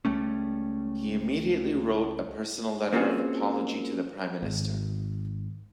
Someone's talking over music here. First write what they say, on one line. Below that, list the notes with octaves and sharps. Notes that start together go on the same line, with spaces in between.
He immediately wrote a personal letter of apology to the Prime Minister.
C#2 G3 A3 C#4
A#3 C4 C#4 F4 F#4 G#4
G#1